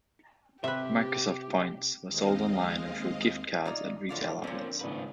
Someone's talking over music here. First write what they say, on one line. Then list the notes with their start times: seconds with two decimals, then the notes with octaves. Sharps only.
Microsoft Points were sold online and through gift cards at retail outlets.
0.64 C3 G4 B4 E5
2.09 D#2 G#3 C4 D#5 F5
3.65 E3 D#4 F4 D5
4.09 A2 D3 D#3 F3 F4 D5
4.44 A#2 D3 F3 C4 C#4
4.81 G#1 A2 C#3 A3 A#3 C4 D4 B4